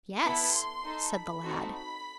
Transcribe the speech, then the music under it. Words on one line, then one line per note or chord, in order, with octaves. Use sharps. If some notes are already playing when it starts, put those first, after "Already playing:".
"Yes," said the lad.
B3 E4 A4 B5
C6
D#4 A4
B5
C4 D#4 F#4 A4
B5